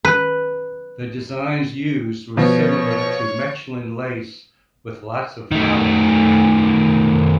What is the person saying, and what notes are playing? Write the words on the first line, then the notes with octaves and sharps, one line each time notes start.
The designs used were similar to Mechlin lace, with lots of flowers.
B4
B2 F3 C#5
D#3 A3